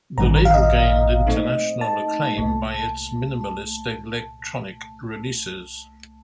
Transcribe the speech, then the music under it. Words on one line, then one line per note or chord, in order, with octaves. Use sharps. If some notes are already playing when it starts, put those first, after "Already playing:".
The label gained international acclaim by its minimalist electronic releases.
A1 G2 D#3 A#5
A#5
F5
D#5
A#2 A3 C4 D#4
A5
C2 A#2 A3